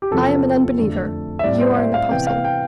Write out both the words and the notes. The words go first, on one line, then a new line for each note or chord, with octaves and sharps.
I am an unbeliever: you are an apostle!
G4
E2 C3 F3 C4 A4
F2 D3 A3 D4
E5
A2 G3 C4 D5
C5
E5
F5
C3 E3 B3 G5
F5
G5